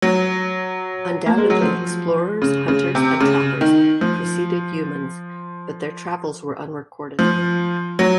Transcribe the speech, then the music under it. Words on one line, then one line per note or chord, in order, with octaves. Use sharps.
Undoubtedly explorers, hunters, and trappers preceded Youmans, but their travels were unrecorded.
F#3
A#3
G#3
F#3
F3
C#3
C#3
C3
C#3
D#3
F3
F3
F#3